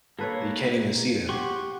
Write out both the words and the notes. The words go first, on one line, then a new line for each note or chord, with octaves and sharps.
that you can't even see them.
A#3 A4 B4 C#5
G4 F#5 C6 C#6